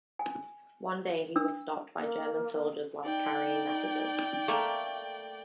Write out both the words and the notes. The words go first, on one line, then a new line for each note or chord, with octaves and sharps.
One day he was stopped by German soldiers whilst carrying messages.
G#5
D4 E6
A#3
D#4 D5 G5
A3 A#3 E5